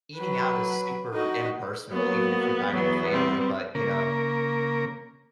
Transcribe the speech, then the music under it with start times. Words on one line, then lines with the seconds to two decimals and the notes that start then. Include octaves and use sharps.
eating out is super impersonal, even if you're dining with family. But, you know,
0.17 F#3 B4
1.13 D#4 F#4
1.92 F#3 A#3 B3
2.72 E2 F#3 B3
3.10 G3 C4
3.75 C#3 A#3 A#4